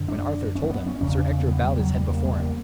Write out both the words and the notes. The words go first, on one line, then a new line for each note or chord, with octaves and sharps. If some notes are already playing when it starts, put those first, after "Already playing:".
When Arthur told him, Sir Ector bowed his head before him.
Already playing: F#2 D3
D4
C#4
A#3
B3
C#4
E2 C#3 C#4
D4
C#4
A#3
B3
G3
F#3
G3
A#3
G3
A#3